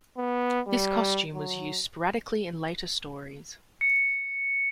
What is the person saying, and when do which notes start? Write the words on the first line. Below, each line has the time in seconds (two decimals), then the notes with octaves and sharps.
This costume was used sporadically in later stories.
0.17 B3
0.67 G3
1.34 F#3
3.81 C#7